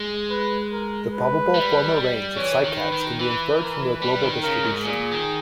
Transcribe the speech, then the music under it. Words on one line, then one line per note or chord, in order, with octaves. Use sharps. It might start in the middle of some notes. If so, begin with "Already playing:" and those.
The probable former range of cycads can be inferred from their global distribution.
Already playing: G#3
B4
A#4
B4
G3
E3 C#5
D#3
B4
D#3
E3 B4
A#4
G3 B4
D#3
C#3 A#4
G#2
A#2 G#4
D#3